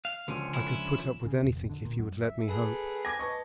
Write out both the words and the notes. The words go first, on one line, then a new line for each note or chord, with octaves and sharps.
I could put up with anything if you would let me hope.
F5
C#2 D3 F3 C#4
E4
C#3
E1
F1
D3
A#2
F#2
E5
G#4 A4 B4
G#5 D6 G#6 A#6
B4 D#5 A5 C#6